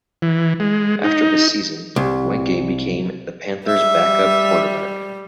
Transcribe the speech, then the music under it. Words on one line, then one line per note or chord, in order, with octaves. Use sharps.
After the season, Weinke became the Panthers backup quarterback.
E3
G#3
D#4
C2
G3 E5